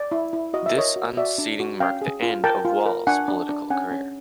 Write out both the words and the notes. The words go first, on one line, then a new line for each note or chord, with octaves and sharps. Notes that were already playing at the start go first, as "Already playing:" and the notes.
This unseating marked the end of Walls' political career.
Already playing: D5
E4
E4
F#4 D#5
E5
A#4 C#5 D#5
F#4
F#4 D5 E5
D4
F#4
C#4 F5 G5
G#4
F4
A#4 G5 A5
F4
A#4
D4 F#5 G#5
D4
D4
C#4 F#5 G#5
C#4